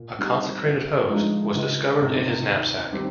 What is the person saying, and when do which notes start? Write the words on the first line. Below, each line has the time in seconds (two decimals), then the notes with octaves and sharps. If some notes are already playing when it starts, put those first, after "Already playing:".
A consecrated Host was discovered in his knapsack.
Already playing: A#2
0.19 G3 C4 D#4 G4
0.64 G1
1.09 G2 F3 G#3 D#4
1.55 C#2
2.01 C3 D#3
2.46 D#2
2.93 D#3 G3 C4 G4